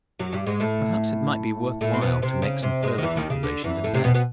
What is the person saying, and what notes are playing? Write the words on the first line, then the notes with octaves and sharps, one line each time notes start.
Perhaps it might be worth while to make some further calculation in bed.
F#2 F#3
G2 G3
G#2 G#3
A2 A3
A2 A3
C4
B2 B3
C3 C4
C#3 C#4
C3 C4
G#2 G#3
D#3
E2 E3
D#2 D#3
C#3
D3
E2 E3
A2 A3
C3 C4
B2 B3
B2 B3